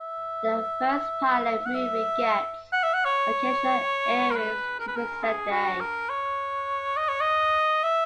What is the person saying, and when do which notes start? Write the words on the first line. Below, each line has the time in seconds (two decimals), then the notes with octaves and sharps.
The first pilot movie gets occasional airings to present day.
0.01 E5
1.66 F#5
1.75 E5
2.72 F#5
2.83 E5
2.94 F#5
3.05 C#5
4.31 A#4
4.36 B4
4.80 A#4
4.87 B4
4.96 A#4
5.23 G#4
5.51 F#4
5.80 A#4
6.09 C#5
6.97 D#5
7.08 C#5
7.20 D#5
7.83 E5